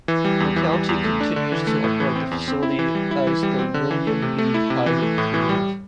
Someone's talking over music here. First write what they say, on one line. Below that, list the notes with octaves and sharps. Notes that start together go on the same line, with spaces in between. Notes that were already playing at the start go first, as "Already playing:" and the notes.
The county continues to operate the facility as the William B. Heilig Field.
E3
G3
E2
E3
G3
E2
A3
D4
D3
E3
A3
A2
E3
C4
E2
C4
E4
E3
G3
E4
E3
G3
C4
D3
E3
A3
C3
A3
E4
C3
E3
A3
A2
E3
G3